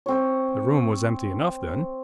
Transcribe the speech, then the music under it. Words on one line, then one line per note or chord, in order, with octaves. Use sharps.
The room was empty enough then.
C4 C#5